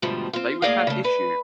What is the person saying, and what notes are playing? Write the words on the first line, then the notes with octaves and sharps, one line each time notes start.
They would have Issue.
G#2 B2 D3 F3 G3 A3
C4 F4
A2 A#3 G#4 D5 D#5 F5
C#3 A3
B4